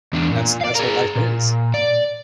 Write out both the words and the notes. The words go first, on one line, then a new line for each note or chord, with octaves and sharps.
that's that's what life is.
E2 D4
A#2
D5 F5
G#4 A#4
A#2
D5